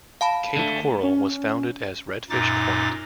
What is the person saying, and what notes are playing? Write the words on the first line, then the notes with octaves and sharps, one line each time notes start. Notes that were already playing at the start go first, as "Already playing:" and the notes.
Cape Coral was founded as Redfish point.
F5 A5 B5
D3 A3
C#4
F#2 A#2 D#4 D6 A6